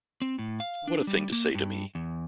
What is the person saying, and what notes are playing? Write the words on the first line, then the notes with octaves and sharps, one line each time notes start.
What a thing to say to me!
C4
A2
F5
D4
G3
A#3
G2
E2